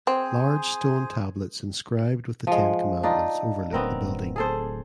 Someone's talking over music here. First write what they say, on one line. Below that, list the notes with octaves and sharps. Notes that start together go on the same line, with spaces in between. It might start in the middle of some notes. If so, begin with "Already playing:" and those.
Large stone tablets inscribed with the Ten Commandments overlook the building.
C4 G#4 C5 G#5
F3 G#3
D4 D#4 F4
D1 B3 C4 A#4
G#4 A4 C5